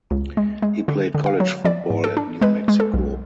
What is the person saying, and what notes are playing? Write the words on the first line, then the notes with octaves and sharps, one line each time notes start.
He played college football at New Mexico.
C#2
G#3
G#3
D3
D3
F5
F#3
F3 D5
G#2
A4
D4
G#3 B4
G#3
A4
B1